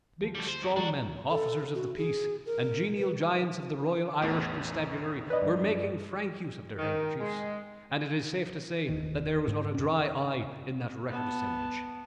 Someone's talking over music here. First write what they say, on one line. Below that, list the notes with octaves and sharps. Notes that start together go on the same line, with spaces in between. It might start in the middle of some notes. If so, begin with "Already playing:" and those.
Big strong men, officers of the peace and genial giants of the royal Irish constabulary, were making frank use of their handkerchiefs and it is safe to say that there was not a dry eye in that record assemblage.
D2 F3
G3 A3
C5
F2
G#3 D4 F#4 D5 A#5
A4
F#4
G#4
A#4
B4
A1 E2 A2
B4 D5 D#5
G2
D#3
G#3
F1 D#2 D#3
G#2
F2 C#4
B3 A5